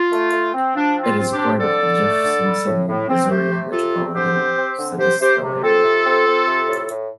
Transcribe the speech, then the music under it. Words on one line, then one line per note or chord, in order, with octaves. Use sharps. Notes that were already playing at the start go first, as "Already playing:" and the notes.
It is part of the Jefferson City, Missouri Metropolitan Statistical Area.
Already playing: F4
A3
A3
C4
F3 D4
C4
F4
C4
D4 G4
C4
D3 A4 D5
D3
A3
D3
G3
A2
A2
C4
A3 G4 C5
C3
C3 F4 A4
C4
D3 G4 C5
C4
C4
D3
C3 G4 C5
C3 G4 C5
C3
C4 F4 A4
C3
C4
C4
C3
A2
A2